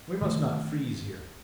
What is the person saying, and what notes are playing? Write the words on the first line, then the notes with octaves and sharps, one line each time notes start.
"We must not freeze here."
D#3 A3